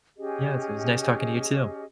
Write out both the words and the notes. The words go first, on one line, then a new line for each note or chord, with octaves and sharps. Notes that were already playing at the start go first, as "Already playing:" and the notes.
Yes, it was nice talking to you too.
C#4 G4 G#4 D#5